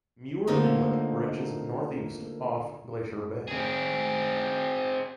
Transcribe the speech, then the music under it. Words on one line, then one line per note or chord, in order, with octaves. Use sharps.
Muir Inlet branches northeast off Glacier Bay.
D3 F3 A3 A#3 D#4
C4 G#4